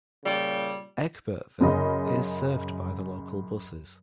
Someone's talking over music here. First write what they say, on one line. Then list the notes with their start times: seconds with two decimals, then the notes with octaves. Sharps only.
Egbertville is served by the local buses.
0.24 A#2 C#3 G3
1.61 F#2 C#3 D#5